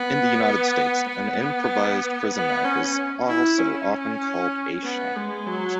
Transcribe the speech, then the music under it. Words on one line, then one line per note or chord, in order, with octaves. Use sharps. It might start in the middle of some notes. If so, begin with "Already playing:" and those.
In the United States, an improvised prison knife is also often called a shank.
Already playing: B3
B3
B3
C#4
E4
C#4
B3
G#3
F#3